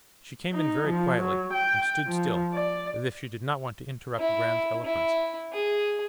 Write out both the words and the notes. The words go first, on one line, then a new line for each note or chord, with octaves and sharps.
She came in very quietly, and stood still, as if she did not want to interrupt Graham's eloquence....
D#4
F3
F#3
G5
F3
D5
E4
E4
G#4